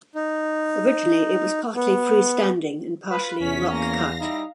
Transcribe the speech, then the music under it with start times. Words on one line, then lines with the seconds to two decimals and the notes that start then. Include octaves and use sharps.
Originally, it was partially free-standing and partially rock-cut.
0.15 D#4
1.75 B3
3.10 F4 B4
3.41 E2 C3 C#4 B6
3.72 A#3 F5 A#6
4.19 G3 D#4 E4